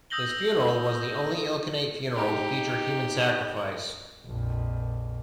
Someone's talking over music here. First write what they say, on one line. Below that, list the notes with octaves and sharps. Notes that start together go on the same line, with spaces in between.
His funeral was the only Ilkhanate funeral to feature human sacrifice.
D#6 E6 G6 A#6 F#7 G7
D#4 G4
A#1 F2